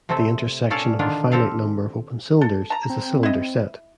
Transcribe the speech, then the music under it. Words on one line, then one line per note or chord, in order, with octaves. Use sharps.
The intersection of a finite number of open cylinders is a cylinder set.
C3 A3 C4 A4 E5
A#2 C#4 A4 D5 F5 A5
D3 D#3 D4 F4
C4 G4 A4 F5
A4
A5 A#5
C4
E4 D#5